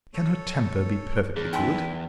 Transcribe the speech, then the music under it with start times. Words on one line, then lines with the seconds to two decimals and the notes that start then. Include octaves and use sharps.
Can her temper be perfectly good?
0.14 A4 C#5
1.36 E2 G#4
1.53 D#4 E4 B4 E5 G5 G#5 C6